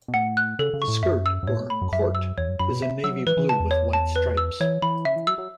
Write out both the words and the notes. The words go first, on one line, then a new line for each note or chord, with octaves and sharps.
The skirt, or "corte", is a navy blue with white stripes.
B2
A2 F#5
F#6
C#3 A4
C#3
C#6
A2
F#2 E5
E6
F#2
A2 C#5
B2
A2 B5
F#2
F#2 E5
E6
E2 C#5
F#2
F#2 B5
B2
E5
F#3 E6
E3 B4
E3
C#3 A5
E2
C#5
A5
B4
E6
E3 C#5
E3 B5
C#3 E5
E3
F#3 E6
F#3